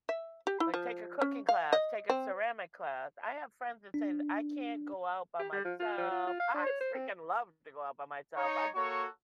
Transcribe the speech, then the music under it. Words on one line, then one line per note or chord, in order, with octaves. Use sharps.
Like, take a cooking class, take a ceramic class. I have friends that say th "I can't go out by myself." I freaking love to go out by myself. I'd
E5
G4
E4
F3
C#4
F5
D#5
C4
D4
G4
G3
F3
F4
F3
F4
F4
F5
D4
C#5
C5
C4
D#4 C#5
A#3 F#4 A4 C#5 C#6